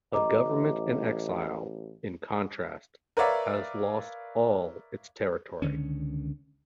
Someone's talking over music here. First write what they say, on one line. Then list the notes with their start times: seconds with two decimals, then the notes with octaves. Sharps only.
A government in exile, in contrast, has lost all its territory.
0.14 A1 D#5 A#5 D6
3.17 A#4 B4 C#5 D5 E5 F5
5.62 C#2 D3 D#3 C#4